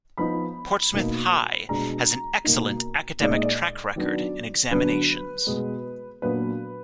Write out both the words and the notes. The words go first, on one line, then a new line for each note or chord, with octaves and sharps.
Portsmouth High has an excellent academic track record in examinations.
F3 B3 D#4 B5
B2 A#3 D#4
B2 G#3 D4 A#5
B2 A#3 D#4
A#2 G#3 D#4 D5
D#5
D5
D#3 F#3 B3 D4
D3 F#3 B3 D4 B4
B2 G#3 B3
A#2 F#3 B3 D4 B4